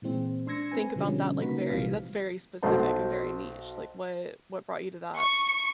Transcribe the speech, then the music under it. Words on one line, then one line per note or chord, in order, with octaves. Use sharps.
think about that, like, very that's very specific, and very niche, like, what what brought you to that?
A#2 E3 G#3 C4
D4 C6 E6 G#6 A#6 C#7
C4 B4 G#5
B2 D3 F3 G3 G#3 C#4
C#3 A#3 D#4 F#4 B4 B6
A#1 C3 E3 F3 G3 F5
B1 F#4 A4 C5 A5
C#6